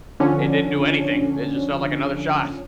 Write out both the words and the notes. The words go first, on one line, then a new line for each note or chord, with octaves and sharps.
it didn't do anything, it just felt like another shot.
D3 F3 C#4 D4